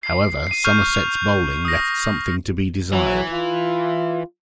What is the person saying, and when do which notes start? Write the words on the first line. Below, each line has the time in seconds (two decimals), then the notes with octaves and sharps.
However, Somerset's bowling left something to be desired.
0.03 C7
0.47 C7 D#7
0.64 C#6 F6 G6 F7
0.95 F7
1.65 D#6 A#6
2.93 E3 F#3
3.33 F4